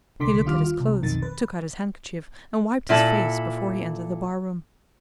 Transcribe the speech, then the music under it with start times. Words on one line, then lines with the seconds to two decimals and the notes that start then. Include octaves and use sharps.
He looked at his clothes, took out his handkerchief, and wiped his face before he entered the barroom.
0.20 C2 D3 C6 D6 B6
0.45 D#2 G3 F4 D6 F6
0.64 F4
0.80 C2
1.02 B1 F2 D#3 A6
1.22 B4
2.89 A#2 E4 A4